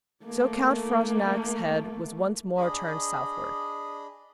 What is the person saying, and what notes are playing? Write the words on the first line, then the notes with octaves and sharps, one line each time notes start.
So Count Frontenac's head was once more turned southward.
A3 A#3
D4 G#4 D#5 B5